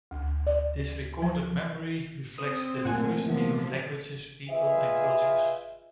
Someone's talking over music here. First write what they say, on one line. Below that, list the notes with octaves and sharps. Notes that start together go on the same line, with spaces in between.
This recorded memory reflects the diversity of languages, people, and cultures.
D2
D5
F3
C4 C5 D#6
A#2 F#3 A3 A#4 F#5 G#5
C3 E3 F3 B3
F4 G#4 B4 D#5 E5